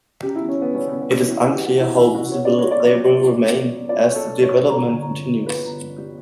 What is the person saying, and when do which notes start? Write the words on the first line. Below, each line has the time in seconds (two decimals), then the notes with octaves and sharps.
It is unclear how visible they will remain as the development continues.
0.22 C#3 G4
0.36 E4
0.40 E2
0.49 C#4
0.57 E2 B3
0.75 G3 C#4
0.88 B3
0.92 C#3
1.01 B3
1.10 E2 C#4
1.27 E2 E4
1.40 F#4
1.45 G3
1.53 G4
1.62 C#3 F#4
1.79 E2 E4
1.97 E2 E4
2.15 G3 F#4
2.32 B2 C#5
2.45 D5
2.49 C#2
2.59 C#5
2.67 C#2 D5
2.84 F#3 D5
3.02 B2
3.19 C#2
3.37 C#2
3.54 F#3
3.72 B2
3.89 C#2 D5
4.02 C#5
4.07 C#2
4.16 A4
4.24 F#3
4.41 G2 C#5
4.59 G3
4.77 G1
4.94 D3
5.11 G2
5.29 G3
5.46 G1 B4
5.64 D3
5.81 G2
5.98 G3